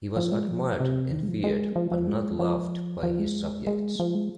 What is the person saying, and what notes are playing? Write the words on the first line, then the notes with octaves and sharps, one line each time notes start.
He was admired and feared but not loved by his subjects.
F3
G#3
F3
C3
D#3
G#3
F3
G#3
F3
F3
G#3
F3
F3
G#3
G#3
F3
G#3